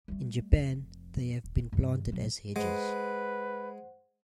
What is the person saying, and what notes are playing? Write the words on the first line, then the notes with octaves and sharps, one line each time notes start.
In Japan, they have been planted as hedges.
G3 A3
F1 F2
D#1
G2 D#3
B1 F#3
G#3 B4 C5 F#5